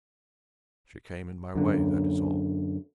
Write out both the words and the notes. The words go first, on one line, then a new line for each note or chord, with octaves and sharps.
She came in my way, that is all.
F#2 D3